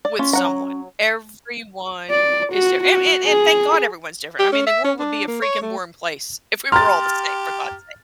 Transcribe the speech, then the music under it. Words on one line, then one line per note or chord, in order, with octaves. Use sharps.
with someone. Everyone is different, and and and thank God everyone's different. I mean, the world would be a freaking boring place if we were all the same for God's sake.
D5
C#4 F4
F#3 F#5 A#5
D5
F#4
F#4
G#4
G4
C#4
E5
C#4
D4
A#3
C#5
A3
G4 A#5 C6 F6 A6